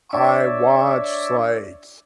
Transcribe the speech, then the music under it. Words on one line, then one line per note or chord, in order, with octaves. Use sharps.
I watched like,
D4 C#5 D5 E5